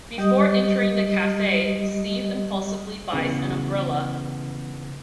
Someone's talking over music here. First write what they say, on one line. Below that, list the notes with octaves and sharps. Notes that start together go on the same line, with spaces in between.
Before entering the Cafe, Steve impulsively buys an umbrella.
G3 G4 D#5 D#6
C#3 E3 B3 G#4